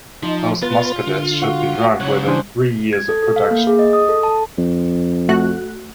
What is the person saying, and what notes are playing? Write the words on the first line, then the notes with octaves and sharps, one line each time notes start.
Most Muscadets should be drunk within three years of production.
F3 D#4
B3 F4 B4 A6
D3
F#4 F5
C#3 F#3 C#5 F#6
E3 D4 G#4 C5
G#6
A4
A4
F5
A#3
G#4
D#5
D#6
A4
A5
F2
A3 F#4 F#6